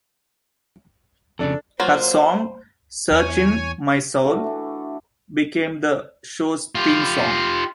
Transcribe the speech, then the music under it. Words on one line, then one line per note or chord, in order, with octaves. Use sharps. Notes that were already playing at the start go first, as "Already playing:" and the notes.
Her song "Searchin' My Soul" became the show's theme song.
F2 C#3 D4 A4
F#3 A#3 F4 C5
E2 E3 C#5 G#5
A3 D4 F#4
E3 D4
F4 G4